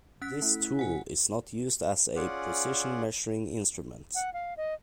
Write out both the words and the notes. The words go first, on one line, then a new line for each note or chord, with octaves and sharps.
This tool is not used as a precision measuring instrument.
C#4 F#6 B6
A3 E4
C3 F#5 G#5
C#4 F4 G#4 D5 F#5
F#5
F5
D#5